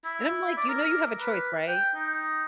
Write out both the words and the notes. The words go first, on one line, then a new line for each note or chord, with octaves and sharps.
and I'm, like, "You know you have a choice, right?
E4
D5
A#4
B4
G5
D#4